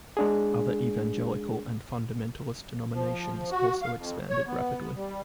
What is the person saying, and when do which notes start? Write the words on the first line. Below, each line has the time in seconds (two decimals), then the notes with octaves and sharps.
Other evangelical and fundamentalist denominations also expanded rapidly.
0.17 G#3 D4 G#4
2.94 F3
3.51 F#4
3.82 F5
3.97 F2
4.29 C#5
4.47 B3
4.95 G3